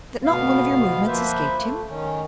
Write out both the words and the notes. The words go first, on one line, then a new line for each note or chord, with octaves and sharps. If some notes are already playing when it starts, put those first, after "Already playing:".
"That not one of your movements escaped him?"
D2 B2 B3 F5
F3 A#3 B4 C5 E5
A3
D#3 C#4